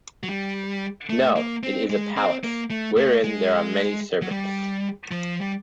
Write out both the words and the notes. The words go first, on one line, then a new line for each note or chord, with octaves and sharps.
No, it is a palace, wherein there are many servants.
F#3
G3
A3
A#3
C4
G#3
C4
A#3
A3
A3
G#3
F#3
G3
F3
G3